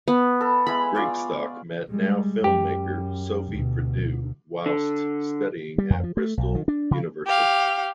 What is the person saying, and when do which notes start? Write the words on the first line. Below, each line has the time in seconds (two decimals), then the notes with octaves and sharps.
Brigstocke met now film-maker Sophie Prideaux whilst studying at Bristol University.
0.08 B3
0.41 A4 B5
0.67 G#3 B3 E4 B5
0.95 F4 D5 C#6
1.89 G3 G#3
2.44 F#2 G4
3.51 D2 B2
4.66 D3
5.78 G3
5.90 F2
6.04 F3
6.17 A3
6.37 B1
6.55 D#3
6.68 D4
6.91 C#3
7.26 G4 F5